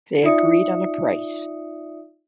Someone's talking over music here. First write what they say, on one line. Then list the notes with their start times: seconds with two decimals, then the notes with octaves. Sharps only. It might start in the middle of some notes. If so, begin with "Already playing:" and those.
They agreed on a price.
0.23 D#4 F4 D5 E5 D#6 C#7